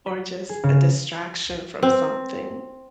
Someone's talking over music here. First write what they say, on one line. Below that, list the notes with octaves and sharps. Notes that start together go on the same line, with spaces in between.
or just a distraction from something
B6
G#4
C#3
C4